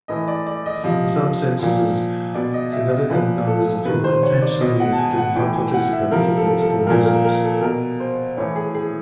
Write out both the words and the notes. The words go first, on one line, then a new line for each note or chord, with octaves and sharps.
In some censuses, significant numbers of people intentionally did not participate for political reasons.
A2 E3 D#5
D5
D5
D#5
C3 F3 D#5
A#2 F3
B2 D5
D#5
E5
D#5
A#2 F3 B4
A4
C3 D#3 B4
C5
C#5
D5
B2 D#5
F#5
A5
G#5
F#5
A2 E3 G5
G#5
F#5
E5
C3 F3 A#4
A4
A4
A#2 F3 A#4
A#4
A#4
A4
B2 A#4
C5
A2 E3 C#5
G#4
G#4